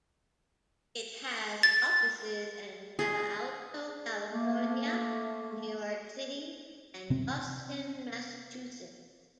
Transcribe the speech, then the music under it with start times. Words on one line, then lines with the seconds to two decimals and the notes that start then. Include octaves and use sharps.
It has offices in Palo Alto, California; New York City; and Boston, Massachusetts.
1.63 A6
2.99 G#4
4.33 A3 A#3
7.10 C3 C4